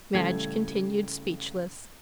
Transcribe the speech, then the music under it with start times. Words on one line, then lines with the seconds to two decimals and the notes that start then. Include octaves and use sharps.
Madge continued speechless.
0.14 A1 C#3 G3 A3 G5 G#6